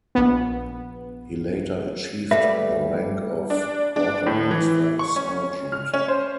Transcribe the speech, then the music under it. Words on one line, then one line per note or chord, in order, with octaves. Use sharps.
He later achieved the rank of Quartermaster Sergeant.
A#1 B3
G3 A3 B4 E5
D4
D4
A2
E3
C#6
C#4
F6
C#4
C5